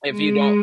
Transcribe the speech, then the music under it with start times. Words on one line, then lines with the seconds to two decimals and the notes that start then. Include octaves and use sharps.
if you don't
0.10 G#3